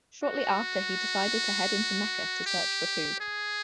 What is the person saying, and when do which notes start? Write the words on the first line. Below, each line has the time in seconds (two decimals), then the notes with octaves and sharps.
Shortly after He decided to head into Mecca to search for food.
0.24 F#4
2.46 G4
3.21 G#4